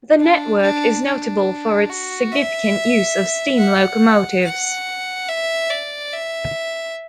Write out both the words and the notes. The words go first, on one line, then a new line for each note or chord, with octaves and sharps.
The network is notable for its significant use of steam locomotives.
D4
D4
D4
F#4
E5
F#5
F#5
E5
D5
E5